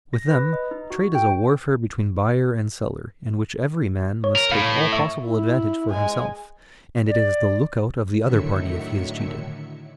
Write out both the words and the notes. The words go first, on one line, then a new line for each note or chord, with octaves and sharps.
With them, trade is a warfare between buyer and seller, in which every man must take all possible advantage for himself, and it is the lookout of the other party if he is cheated.
A#6
B4
D#5
D#4
F#4
G5
C#5
A#4
A2 F5
E5 C#6
E4
G#3 G#5
D5
A2 D3 D#3 F#3 E5 C#7